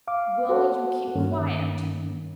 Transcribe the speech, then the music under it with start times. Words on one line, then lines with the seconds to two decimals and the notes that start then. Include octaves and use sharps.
"Will you keep quiet?"
0.08 F5 D6
0.49 F#4 A4 F#5
1.16 G2 D#3 A#3 C#4